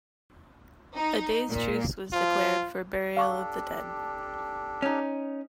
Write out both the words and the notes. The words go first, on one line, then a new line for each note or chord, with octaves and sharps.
A day's truce was declared for burial of the dead.
D#4
A#2
F3 F4
D4 G4 A4 F5 C#6 D6
C#4 D#4